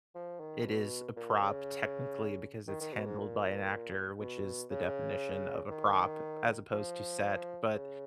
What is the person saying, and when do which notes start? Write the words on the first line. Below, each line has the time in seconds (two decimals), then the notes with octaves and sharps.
it is a prop technically because it's handled by an actor, which is the definition of a prop as opposed to set, but
0.15 F3
0.40 D#3
0.66 B2
1.16 A#2
1.42 C#3
2.68 D#3
2.81 D#3
2.93 B2
3.06 G#2
3.19 A#2
4.20 B2
4.71 C#3
5.71 D#3
6.73 F3
7.74 C#3